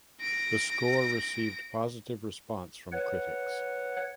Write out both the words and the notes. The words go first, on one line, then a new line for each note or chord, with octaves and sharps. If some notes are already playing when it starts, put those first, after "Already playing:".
The score received positive response from critics.
A#6 D7
B4 C#5 F#5